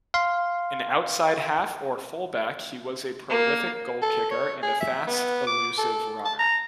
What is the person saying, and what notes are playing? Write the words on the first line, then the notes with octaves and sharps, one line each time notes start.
An outside-half or full-back, he was a prolific goal-kicker and a fast elusive runner.
F5 C6
A#3
A4
C#5
G#4
E5
B3
D6
A4
A5
A#5